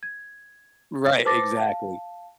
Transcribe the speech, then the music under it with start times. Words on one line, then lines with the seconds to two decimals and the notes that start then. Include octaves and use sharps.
Right, exactly.
0.03 G#6
1.25 B4 C5 A5 D6 A6 A#6
1.57 F5 A5